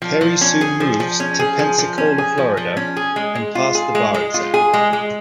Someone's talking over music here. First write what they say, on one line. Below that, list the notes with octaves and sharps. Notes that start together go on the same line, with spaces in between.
Perry soon moved to Pensacola, Florida and passed the bar exam.
F3
F3
C#4
G#4
F3
F3
C#4
G#4
F3
F3
C#4
G#4
F3
F3
C#4
G#4
G#3
G#3
F4
G#4
G#3
G#3
F4
G#4
G#3
G#3